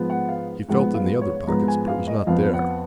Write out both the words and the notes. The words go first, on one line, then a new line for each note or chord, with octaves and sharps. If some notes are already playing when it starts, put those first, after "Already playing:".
He felt in the other pockets, but it was not there.
Already playing: G#2 F3 G#3 B3
F#5
F5
G#2 F3 G#3 B3 F#5
F5
C#5
G#2 F3 G#3 B3 A#5
G#5
F5
D#5
F2 F3 B3 F5
F#5